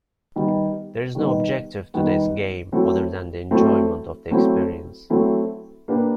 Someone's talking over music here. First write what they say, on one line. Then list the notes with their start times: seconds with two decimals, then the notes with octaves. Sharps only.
There is no objective to this game other than the enjoyment of the experience.
0.36 D#3 G3 B3 D#4
1.15 D#3 G3 B3 D#4
1.94 D#3 G3 B3 D#4
2.72 F#3 A3 C4 E4 A4
3.51 F#3 A3 C4 E4 A4
4.31 F#3 A3 C4 E4 A4
5.10 F#3 A3 C4 E4 A4
5.88 A#3 D4 G4 B4